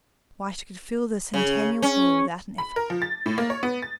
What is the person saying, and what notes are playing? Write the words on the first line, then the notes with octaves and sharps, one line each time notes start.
Why, she could fill the Centennial Hall without an effort.
C#3
C#4
B5
A#4
F3
A6
A2
A#3
C#5
B3
A6